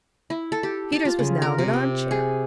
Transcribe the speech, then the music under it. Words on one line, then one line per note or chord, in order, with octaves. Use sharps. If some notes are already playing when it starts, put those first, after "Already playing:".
Peters was now in an arm-chair.
E4
A4
G4
A5
F4
C#3
A#4
C3
G5
G#4